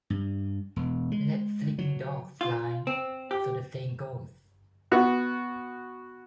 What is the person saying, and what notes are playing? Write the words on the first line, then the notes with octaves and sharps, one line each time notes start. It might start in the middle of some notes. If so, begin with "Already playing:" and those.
Let sleeping dogs lie, so the saying goes.
G2
E1
G#3
F#3
F4
C4
G4
B3 F#4